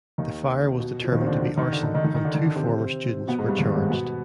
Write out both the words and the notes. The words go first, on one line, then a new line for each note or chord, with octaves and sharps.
The fire was determined to be arson, and two former students were charged.
D#2 D#3
B2
F3
D#2 D#3
C4
D3 D4
D3 D4
D#3 D#4
D3 D4
D#3 D#4
D#3 D#4
D#3 D#4
D#3 D#4
D3 D4
D#3 D#4
D3 D4
C3 C4
B2 B3
G#2 G#3
G2 G3
D#2 D#3
G#2 G#3
B2 B3